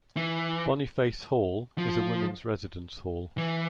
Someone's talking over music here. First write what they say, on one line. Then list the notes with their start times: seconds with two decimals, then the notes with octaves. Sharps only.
Boniface Hall is a women's residence hall.
0.17 E3
1.78 F3
3.38 E3